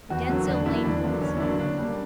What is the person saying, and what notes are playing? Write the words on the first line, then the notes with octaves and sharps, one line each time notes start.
The Denzille lane boys.
E2 F#4
D3 F#3 A#3
E2 D4
D3 F#3 A#3 E4
E2 D4
D3 F#3 A#3
E2 C#4
E4
D3 F#3 A#3 D4
C#3 D4
G3 A#3